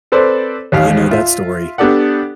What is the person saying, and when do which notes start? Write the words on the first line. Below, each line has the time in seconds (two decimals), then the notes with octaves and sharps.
I know that story.
0.12 C4 A4 B4 C5 D5
0.72 A1 D#2 F5
1.11 F4 E5
1.78 B3 D4 G4 A4 D5 F#5